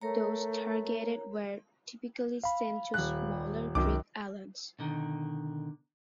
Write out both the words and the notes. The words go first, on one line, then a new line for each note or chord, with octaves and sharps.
Those targeted were typically sent to smaller Greek islands.
A3 A#4 C#5 A#5
F5 B5
D#1 F#6
C2 F#2 D#3 D6
B2 D3 D#3